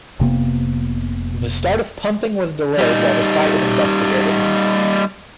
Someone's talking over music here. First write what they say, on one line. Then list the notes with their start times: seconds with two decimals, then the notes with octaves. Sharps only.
The start of pumping was delayed while the site was investigated.
0.20 F1 C3 A#3 B3
2.79 G3 D#4